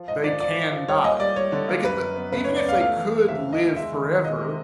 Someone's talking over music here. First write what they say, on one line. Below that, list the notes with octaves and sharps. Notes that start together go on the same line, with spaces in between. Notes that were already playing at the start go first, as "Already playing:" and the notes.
They can die. They can the even if they could live forever,
Already playing: F3
G#2 D#5
F3 D5
F3 D5
F3
F3
G3 C#5
A#3 D#5
G3 D5
G3 C#5
D3
A#3
F#2 B4
F#2
B3
C#3 B4
C#5
B3
D5
B3 F5
A3 F5
E3
A3
C3 E5
E3
D#5
E2
G#3 E5
D#3
D#3
G#3 D#5
C3